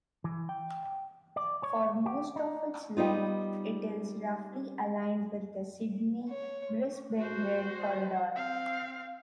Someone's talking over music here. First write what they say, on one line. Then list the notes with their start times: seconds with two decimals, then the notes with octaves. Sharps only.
For most of its length it is roughly aligned with the Sydney-Brisbane rail corridor.
0.24 E3
0.49 G5
1.36 D5
1.63 C#5
2.06 G4
2.36 D#4
2.97 G3 B3 D#4 F4
6.29 C#5
7.17 F#4 C5
8.35 C4 F5